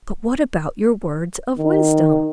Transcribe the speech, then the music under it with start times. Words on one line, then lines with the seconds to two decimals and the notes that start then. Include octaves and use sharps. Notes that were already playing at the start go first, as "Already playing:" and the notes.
'But what about your words of wisdom?'
1.58 D#3